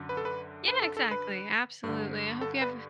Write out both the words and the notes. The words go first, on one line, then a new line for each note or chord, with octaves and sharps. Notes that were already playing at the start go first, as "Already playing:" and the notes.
Yeah, exactly. Absolutely. I hope you have
Already playing: F#2 D3
B4
A4
B4
B4
A4
A4
B4
G2
D3
A4
B4